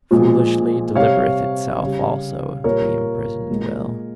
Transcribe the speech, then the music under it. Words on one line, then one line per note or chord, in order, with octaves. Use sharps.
Foolishly delivereth itself also the imprisoned Will.
A#2 F3 G#3
C3 G3 C#5 F5
C#3 G3
A#2 G3 A#4 C#5
A#2 G#3